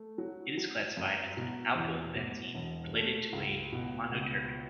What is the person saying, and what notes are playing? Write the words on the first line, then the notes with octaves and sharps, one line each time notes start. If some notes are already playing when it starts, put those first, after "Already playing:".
It is classified as an alkylbenzene related to a monoterpene.
Already playing: A3
F#3
F#3
F#2
B2
E2
B2
E1
A3
C#2
B2
C#2